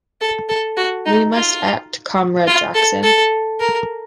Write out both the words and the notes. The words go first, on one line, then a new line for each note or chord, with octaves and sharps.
We must act, Comrade Jackson!
A4
A4
F#4
D#4
F4
F4
A4
A4
A#4